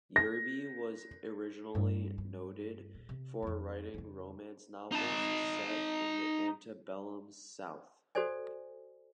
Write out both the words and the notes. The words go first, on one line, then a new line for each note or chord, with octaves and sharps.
Yerby was originally noted for writing romance novels set in the antebellum South.
A#6
G2 C4
G2
D#1
C3
F2 C4
F2 C#3
D#4 A5
F#4 A4 C5 D5 G#5